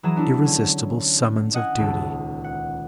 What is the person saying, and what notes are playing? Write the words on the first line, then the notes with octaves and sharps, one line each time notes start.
Irresistible summons of duty!
E3 F#3 G#4 A#5 E7
B3 D4 E4
D3 C#4
D#5 F#5 G#5
D#1 C#2 A4
F#5